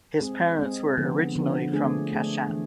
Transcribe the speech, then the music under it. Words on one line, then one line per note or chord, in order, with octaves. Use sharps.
His parents were originally from Kashan.
G#3 C4 G#4
G#3 C4 G#4
D3 F3 B3
D3 F3 B3
A3 D4 G#4
A3 D4 G#4
E3